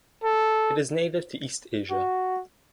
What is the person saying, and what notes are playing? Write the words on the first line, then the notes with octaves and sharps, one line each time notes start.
It is native to East Asia.
A4
F#4